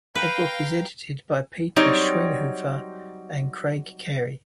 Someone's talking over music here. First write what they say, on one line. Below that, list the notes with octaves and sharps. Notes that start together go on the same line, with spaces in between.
The book is edited by Peter Schweighofer and Craig Carey.
B4 F5 G5 A#5
F#3 G3 C4 D#4 C#5 D5